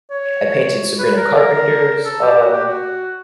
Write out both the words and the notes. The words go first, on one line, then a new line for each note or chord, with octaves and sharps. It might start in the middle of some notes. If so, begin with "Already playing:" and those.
I painted Sabrina Carpenter's, um,
C#5
B4
A#4
A#4
A4
G4
F#4
G4
F#4